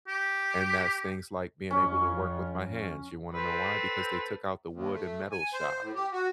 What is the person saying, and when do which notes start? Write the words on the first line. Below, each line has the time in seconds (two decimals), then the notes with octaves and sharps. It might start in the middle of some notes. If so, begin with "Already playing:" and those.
and that's things like being able to work with my hands, you wanna know why? Because they took out the wood and metal shop
0.08 G4
1.71 F2 C#4
3.34 C4 A4 B4
4.72 D#2
4.92 A3
5.32 G#5
5.53 C5
5.81 A2
5.95 G4
6.12 F#4